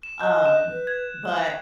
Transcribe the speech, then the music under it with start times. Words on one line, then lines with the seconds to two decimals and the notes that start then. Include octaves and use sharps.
um but,
0.03 E7
0.20 D#5 F#6 G6
0.46 E7
0.69 B4
0.87 G#6
1.24 C5